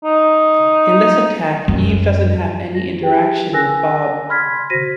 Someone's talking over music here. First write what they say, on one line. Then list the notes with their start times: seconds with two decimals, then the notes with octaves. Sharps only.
In this attack Eve doesn't have any interaction with Bob.
0.04 D#4
1.68 F#2
2.75 A#6
2.99 E4 F4 G4 G#4 B4 G5
3.52 G#4 A#4 G#5 E6 F#6 A#6
4.29 B5 C6 F6 G#6 B6
4.70 F#4 C5 A#6 B6 D#7